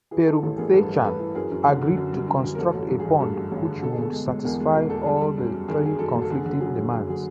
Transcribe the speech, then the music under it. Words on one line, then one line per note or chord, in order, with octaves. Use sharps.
Perumthachan agreed to construct a pond which would satisfy all the three conflicting demands.
E3 G#4
E3 A4
A1 A4
A1 G#4 A#4
G2 A4 B4
G2
A1 A4 B4
E3
F#2 G#4 A#4
F#2
D3
D3
F#2
G3
F#2
F#2
A#4
A1 A4
A1 A4
G2
G#4
G2
G2 A4
A1
A1 G#4
D3
B2 A4
G#4
B2 A4
G#3
G#3
E2 G#4 A#4
G#3
B2 A#4
E2 A4
G3 G#4
A4
G3
F#2
G3
D#3 G#4
G3 G#4
F#2 A4
F#1
A4
D3 G#4
D3
F#3 G#4
D3
F#3 G#4
D3 G#4